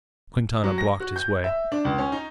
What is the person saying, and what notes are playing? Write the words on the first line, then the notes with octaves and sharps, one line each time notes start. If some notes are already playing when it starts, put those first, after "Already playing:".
Quintana blocked his way.
F#3
A#6
F#4
G6
E5
D4
C#2
C#4
D#4